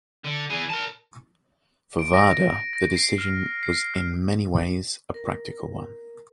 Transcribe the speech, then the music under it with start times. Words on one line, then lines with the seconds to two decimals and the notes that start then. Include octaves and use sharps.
For Varda, the decision was in many ways a practical one.
0.25 D3
0.50 E3 G#4
0.70 A#4 A5
1.99 D7
2.14 A#6
2.73 A#6
2.96 C7
3.18 F6
3.63 C7
3.94 F6
5.14 A#4